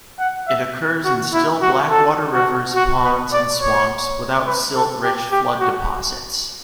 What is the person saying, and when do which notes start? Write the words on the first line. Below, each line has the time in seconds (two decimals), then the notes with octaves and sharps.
It occurs in still blackwater rivers, ponds and swamps without silt-rich flood deposits.
0.19 F#5
0.48 E5
1.05 F#4
1.33 E4
1.62 F#4
1.90 A4
2.33 F#4
2.76 F#4
3.04 B4
3.32 D5
3.61 C#5
4.46 B4
4.75 A4
5.03 G4
5.32 G4
5.60 F#4